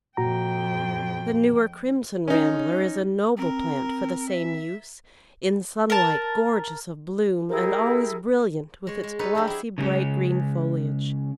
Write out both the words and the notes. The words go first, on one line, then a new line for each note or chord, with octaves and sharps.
The newer Crimson Rambler is a noble plant for the same use, in sunlight gorgeous of bloom, and always brilliant with its glossy bright-green foliage.
F2 A#2 F#4 G5 A#5
C#4 D#4
C4 A#4
E5
A#4 A5
E4 G4 G#4 A#4
G#3 C#5
G#3
D#4 A4 B4 C#5
F3 F#3 D4 G4
E4 G#4
C#3 F3 F#3 G#3 C#4